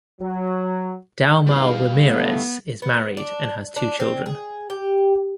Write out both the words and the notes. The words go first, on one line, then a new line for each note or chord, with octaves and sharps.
Dalmau Ramirez is married and has two children.
F#3
E2 G#2 G3 F5
A2 D3 A3 B3
B3
D4
D4
C4
G#4
G4